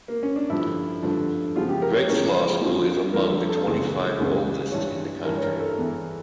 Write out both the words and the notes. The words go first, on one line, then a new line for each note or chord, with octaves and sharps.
Drake's law school is among the twenty-five oldest in the country.
A#3
C#4
D4
G2 D3 F3 E4
G2 D3 F3
E2 C#3 F3 F4
G4
A#4
C#5
E2 C#3 F3 C#5
F2 D3 F3
F2 D3 F3 A#4
A4
A4
C#2 C#3 E3
C#2 C#3 E3
G2 E3 C#5
G2 E3 A#4
C#5
A#4
A4
E2 E3